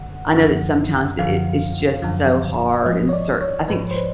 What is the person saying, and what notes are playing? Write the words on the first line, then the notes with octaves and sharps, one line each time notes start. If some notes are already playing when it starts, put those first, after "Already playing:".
I know that sometimes it it it's just so hard and cert I think
Already playing: F#2 D3 F#5
F#2 D3 F3
F#2 D3 F3 F5
F#2 D3 F3
G#2 F3 D#5
C#5
D5
C#5
G#2 F3 B4
C5
B4